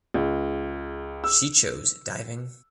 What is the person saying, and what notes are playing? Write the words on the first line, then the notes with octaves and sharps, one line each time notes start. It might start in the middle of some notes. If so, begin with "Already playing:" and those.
She chose diving.
C#2
E6